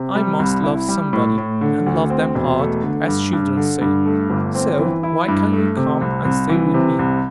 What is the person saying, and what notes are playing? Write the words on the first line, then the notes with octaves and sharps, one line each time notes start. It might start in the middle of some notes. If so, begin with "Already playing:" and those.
I must love somebody, and 'love them hard,' as children say; so why can't you come and stay with me?
Already playing: C3
G3
C2
E4
G3
A2
A2
D3
D2
C4
E1
A3
D3
G2
G2
D3
G2
A3
G1
C4
E3
E4
G2
A3
C3
C2
C2
E3
C3
C2